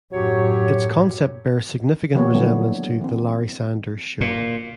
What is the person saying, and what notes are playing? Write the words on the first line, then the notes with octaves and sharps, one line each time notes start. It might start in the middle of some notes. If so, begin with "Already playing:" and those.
Its concept bears significant resemblance to "The Larry Sanders Show".
F#2 A2 F#3 G4 C#5
D#3 F3 A#3 B3 G4 C#5
D3 F#3 G3 A3 B3 E4
E3 C4
A#2